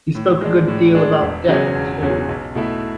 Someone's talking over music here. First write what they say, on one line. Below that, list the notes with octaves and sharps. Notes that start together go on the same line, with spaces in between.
He spoke a good deal about death, too.
A2
G#3 D4
A2
G#3 D4
E1
E2 C#3 F#3 C#4
E1
E2 C#3 F#3 C#4
B1
B2 A3 E4